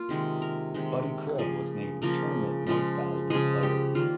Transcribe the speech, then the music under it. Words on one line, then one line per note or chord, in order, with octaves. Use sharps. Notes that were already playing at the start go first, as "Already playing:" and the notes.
Buddy Cribb was named Tournament Most Valuable Player.
Already playing: A#3 F4
C3 D#3 G#3
A#4
C3 D#3 G#3
C#3 F3 A#3 G#4
C#3 F3 A#3 A#4
C#3 F3 G#3
C#3 F3 G#3 G#4
G4
D#3 G3 A#3 F4